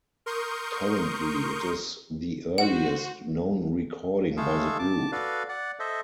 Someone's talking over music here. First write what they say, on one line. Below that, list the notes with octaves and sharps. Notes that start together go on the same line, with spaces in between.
Currently, it is the earliest known recording by the group.
A#4 C6 C#6 D#6 G6
F#4 C5 F#5
G#3 A3 G#4 A4 F5 E6
A5 D6
F#4 A4 B4 D5 F5
D5 F#5
A4 C5 D#5 E5